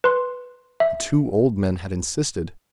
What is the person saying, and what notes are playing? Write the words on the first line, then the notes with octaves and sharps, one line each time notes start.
The two old men had insisted.
B4 C6
E5